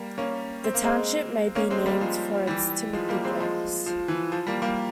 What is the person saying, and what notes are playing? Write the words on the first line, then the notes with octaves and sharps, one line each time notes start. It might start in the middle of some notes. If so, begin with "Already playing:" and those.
The township may be named for its Timothy-grass.
Already playing: G3 A#3
A#3 C#4
C4
A#3
G#3 C4
A#3 C#4
G#3 C4
G3 A#3
F3 G#3
E3 G3
F3 G#3
G3 A#3
G#3 C4
F3 G#3
F3
E3
F3
G3 A#3
G3 A#3